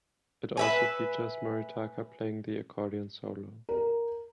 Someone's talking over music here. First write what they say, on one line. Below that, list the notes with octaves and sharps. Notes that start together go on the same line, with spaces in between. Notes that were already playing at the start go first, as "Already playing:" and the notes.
It also features Moritaka playing the accordion solo.
B4 E5 G#5
A#4